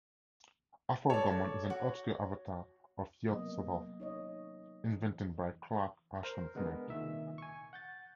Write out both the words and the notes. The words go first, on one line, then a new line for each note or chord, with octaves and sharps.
Aforgomon is an obscure avatar of Yog-Sothoth invented by Clark Ashton Smith.
A4 C#5 D5
F#4
C3 F#3 A#3 B3 D#5
D#4 C#5 D#5
E3
A#4 C5
D3 G#3 B3 A#4
C2 A#2 D#3 E5
G#5 C#6
F#5 G6 A6